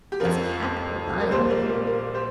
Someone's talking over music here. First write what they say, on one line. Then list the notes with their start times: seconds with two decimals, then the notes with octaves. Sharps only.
"It's capital lying here."
0.12 G4
0.20 F2 F3 A#4
1.21 A#4
1.31 A#1 A#2 G3 G4 C5
1.50 A#4 D5
1.69 A#4
1.87 A#4
2.14 G4 C5